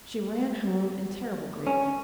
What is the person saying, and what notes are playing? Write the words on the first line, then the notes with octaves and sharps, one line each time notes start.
She ran home in terrible grief.
C#4